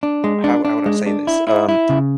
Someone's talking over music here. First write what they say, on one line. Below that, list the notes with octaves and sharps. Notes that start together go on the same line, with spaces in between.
how how would I say this, um
D4
G#3
D4
D4
G#3
D4
E4
E4
E4
C#3